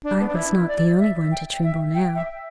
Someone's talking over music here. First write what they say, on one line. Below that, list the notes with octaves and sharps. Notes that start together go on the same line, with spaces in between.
I was not the only one to tremble now.
D4
B3
D4
E4
D5
E5
G5
E5
G5
E5